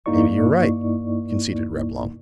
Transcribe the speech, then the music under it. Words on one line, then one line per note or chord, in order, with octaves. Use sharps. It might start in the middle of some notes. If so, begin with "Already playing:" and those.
"Maybe you're right," conceded Reblong.
G2 A#3 D#4 E4 D5 C#6